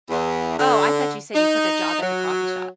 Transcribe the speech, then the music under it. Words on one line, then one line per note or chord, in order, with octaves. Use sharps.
Oh, I thought you said you took a job at the coffee shop.
E2
D3
D#4
F#3